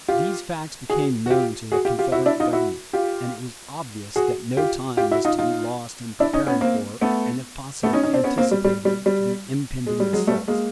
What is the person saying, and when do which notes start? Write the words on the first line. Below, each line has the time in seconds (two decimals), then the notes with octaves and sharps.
These facts became known to the Confederate Government, and it was obvious that no time was to be lost in preparing for, and if possible anticipating the impending assault.
0.08 F4 G4
0.90 F#4 G#4
1.26 F#4
1.30 F4 G4
1.72 F#4 G#4
1.85 F4 G4
1.99 F4 G4
2.12 E4 F#4
2.26 D4 E4
2.40 D#4 F4
2.53 E4 F#4
2.93 F4 G4
4.16 F#4 G#4
4.57 F4 G4
4.97 F4 G4
5.11 E4 F#4
5.25 D#4 F4
5.38 D#4 F4
6.20 D4 E4
6.33 C#4 D#4
6.47 B3 C#4
6.61 A#3 C4
7.01 A3 B3
7.83 A3 B3
7.93 C#4 D#4
8.03 C#4 D#4
8.13 C4 D4
8.24 B3 C#4
8.37 A#3 C4
8.51 G3
8.64 G3
8.85 G3
9.06 G3
9.87 G#3
10.00 G3
10.13 F#3 G#3
10.27 G3 A3
10.48 G#3 A#3